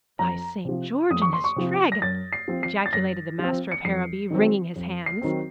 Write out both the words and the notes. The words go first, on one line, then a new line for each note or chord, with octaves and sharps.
"By St. George and his Dragon!" ejaculated the master of Harrowby, wringing his hands.
F2 A#5
C3 F3
F2 D#6
C#6
C6
C#6
C3 F3
A#6
F#2 A6
C7
F3 C4
C7
A6
F#2 A#6
F3 C4
C#7
F2 C7
D#3 F#3 C4
F2
C7
D#3 F#3 C4